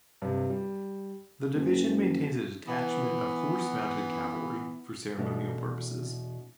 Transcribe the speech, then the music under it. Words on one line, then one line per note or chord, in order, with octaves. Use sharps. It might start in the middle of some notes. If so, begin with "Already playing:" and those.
The division maintains a detachment of horse-mounted cavalry for ceremonial purposes.
G2 C3
G3
F#1
E3 B3
E2 B2 A3 D4